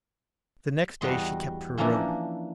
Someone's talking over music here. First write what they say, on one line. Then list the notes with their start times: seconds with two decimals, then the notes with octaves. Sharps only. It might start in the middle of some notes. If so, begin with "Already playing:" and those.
The next day she kept her room.
1.01 E2 G3 F#4 D#5 C6
1.78 E3 F3 A#3 C#4 D4 E4